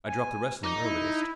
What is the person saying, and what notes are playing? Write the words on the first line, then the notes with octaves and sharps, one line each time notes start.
I dropped the wrestling earliest.
G#5
D#4 D6
E4